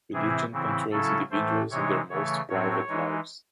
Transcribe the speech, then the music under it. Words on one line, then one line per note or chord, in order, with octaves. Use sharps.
Religion controls individuals in their most private lives.
C3 E3 C4 E4 G#4
C#3 E3 C4 E4
C#3 F#3 C#4 E4 A4
A2 E3 A3 C5
C3 E3 G#3 D#4 C#5
C#3 E3 A3 C#5
A2 F#3 C4 C#5
E3 G#3 D#4